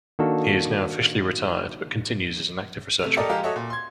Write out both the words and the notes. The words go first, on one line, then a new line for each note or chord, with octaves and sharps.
He is now officially retired, but continues as an active researcher.
D#3 A#3 D4 F#4 A4
C3 A3 F7
G4 A4 A#4 D5 D#5
F3 G#3 G4 F5 A#5
F#4 A4 C#5 D#5 E5
A#2
C6 G#6